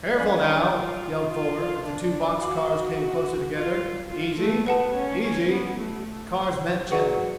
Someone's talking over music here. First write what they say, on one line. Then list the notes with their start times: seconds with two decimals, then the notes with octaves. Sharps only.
"Careful now," yelled Fuller, as the two box-cars came closer together. "Easy--easy!" The cars met gently.
0.17 C#4 D5 F5 G#5 B5
0.46 D4
0.74 F4
1.30 F4
1.58 F4
1.86 D4
2.42 F#4 F5 B5 D6
3.55 F4
4.10 F4
4.39 A3
4.66 B3 B4 F#5 A5
4.95 C#4
5.22 C#4
5.51 B3
5.79 A3
6.91 F#3 G#4 B4 D5 F#5 C#6